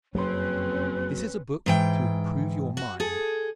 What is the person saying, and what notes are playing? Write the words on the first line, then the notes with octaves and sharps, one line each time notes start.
This is a book to improve your mind.
F#1 F2 F#3 C4 C#4 B4 C6
G#2 E3 G5
F#4
G#4 A4